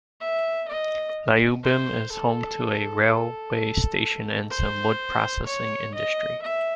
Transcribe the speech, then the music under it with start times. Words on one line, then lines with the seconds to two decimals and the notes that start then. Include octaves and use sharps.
Lyubim is home to a railway station and some wood-processing industry.
0.21 E5
0.68 D#5
1.64 C5
2.12 A4
3.07 A4
4.50 C5
5.46 C#5
5.95 D#5
6.42 E5